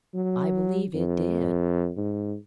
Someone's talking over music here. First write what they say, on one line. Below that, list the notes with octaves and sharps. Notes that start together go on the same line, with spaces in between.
"I believe it did."
F#3
F2
G#2